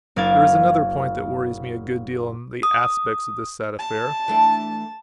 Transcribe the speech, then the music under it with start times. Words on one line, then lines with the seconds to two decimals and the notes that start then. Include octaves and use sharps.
There is another point that worries me a good deal in the aspects of this sad affair.
0.16 F#1 D4 A#4 F5 G#6 A6
2.63 D#6
3.79 A5
4.28 E3 A3 D4